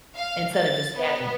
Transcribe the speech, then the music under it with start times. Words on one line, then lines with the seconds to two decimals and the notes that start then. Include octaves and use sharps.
instead of just standing
0.16 F5
0.54 A6
0.97 B3